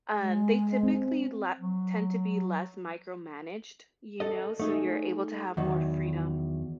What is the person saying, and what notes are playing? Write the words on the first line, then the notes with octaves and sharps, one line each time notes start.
um, they typically le tend to be less micromanaged, you know, so you're able to have more freedom.
G#3
C4
F#3
A4 D#5
A3 D#4 G#4
E2 D#3 F#3